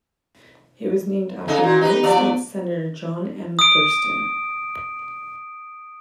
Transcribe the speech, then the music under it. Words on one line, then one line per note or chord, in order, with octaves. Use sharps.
It was named after the United States Senator John M. Thurston.
C#3 D#4 A4
A#2 F#4
D#4 G4 B4
F3 D5
B3
D#6 D7